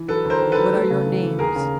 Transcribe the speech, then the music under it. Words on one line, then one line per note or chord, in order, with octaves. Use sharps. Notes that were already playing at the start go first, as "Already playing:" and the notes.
"What are your names?"
Already playing: E3
F#3 A4 B4
D2
A#4 C5
D#3
A4 B4
F#3
A3
C#3
E3
E3
D#2 G#4 A#4
C#3